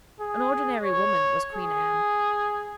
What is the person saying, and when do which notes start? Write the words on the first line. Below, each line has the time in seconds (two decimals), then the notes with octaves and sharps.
An ordinary woman was Queen Anne.
0.21 G#4
0.83 C#5
1.54 G#4